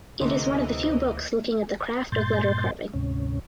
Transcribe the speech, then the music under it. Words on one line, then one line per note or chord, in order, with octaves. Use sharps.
It is one of the few books looking at the craft of letter carving.
D2 C3 E3 A3 A#3 C5 D#5
G2 A#2 C6 G6 A6
D2 G#2 C3 C#4